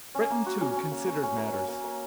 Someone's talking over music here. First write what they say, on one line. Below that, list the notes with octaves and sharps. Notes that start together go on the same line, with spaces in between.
Breton, too, considered matters.
C#4
A#3
F#4
C#4
C#4
A#3
A#3
C#4
A#3
C#4
A#3
A#3